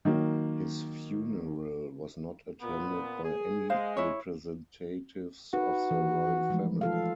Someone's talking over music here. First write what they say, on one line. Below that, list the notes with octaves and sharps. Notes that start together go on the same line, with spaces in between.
His funeral was not attended by any representatives of the Royal Family.
D#3 F#3 A#3
A#2 B3
G#4
G#3 C5 F5
E4 C#5
D#4 F#4 B4
E3
F3 G#3 A3
F4 A4 F5